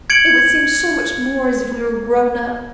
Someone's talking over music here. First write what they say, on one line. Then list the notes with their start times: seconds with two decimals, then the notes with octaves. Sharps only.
It would seem so much more as if we were grown up.
0.10 G#6 C#7 D7 F#7